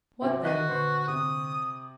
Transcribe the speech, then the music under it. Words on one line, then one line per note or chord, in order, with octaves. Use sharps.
"What then?"
C3 F#3 C4 E5
F#4 D#5 F#6 D#7
A#2 D3 B4 C5 C#6
C3 D#6